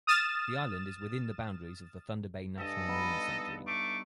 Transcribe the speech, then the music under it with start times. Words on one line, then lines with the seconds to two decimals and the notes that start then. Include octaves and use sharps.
The island is within the boundaries of the Thunder Bay National Marine Sanctuary.
0.07 D#6 F6 A6 E7
2.58 G2 A4 D#5 G#5
2.88 B3 D#4 B4
3.66 A3 C#6 D6